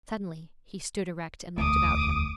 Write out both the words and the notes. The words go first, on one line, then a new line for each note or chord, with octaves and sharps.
Suddenly he stood erect and looked about him.
E1 D2 A3 D6 D#6